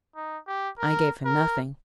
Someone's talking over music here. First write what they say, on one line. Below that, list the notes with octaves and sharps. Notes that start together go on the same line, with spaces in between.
'I gave her nothing.
D#4
G4
A#4
A#4